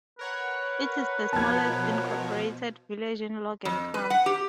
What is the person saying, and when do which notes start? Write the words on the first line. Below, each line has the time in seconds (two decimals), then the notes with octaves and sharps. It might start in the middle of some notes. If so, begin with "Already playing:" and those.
It is the smallest incorporated village in Logan County.
0.19 A#4 B4 C#5 F#5
1.33 B2 F3 A5 G#6
3.65 F2
3.94 B4
4.10 F#5
4.26 G4